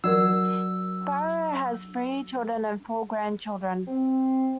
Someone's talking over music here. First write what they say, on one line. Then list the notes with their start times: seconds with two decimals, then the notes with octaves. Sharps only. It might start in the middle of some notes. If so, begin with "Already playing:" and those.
Farrow has three children and four grandchildren.
0.04 F#3 A#4 D5 F#5 E6
3.88 C4